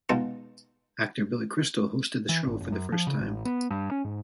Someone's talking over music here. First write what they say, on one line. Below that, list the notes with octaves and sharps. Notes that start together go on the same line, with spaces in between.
Actor Billy Crystal hosted the show for the first time.
B2 G#3 D#4 F4 A5
E3
G#1
F#1
F#2
F3
C#3
A1
B3
G2
C#4
G#2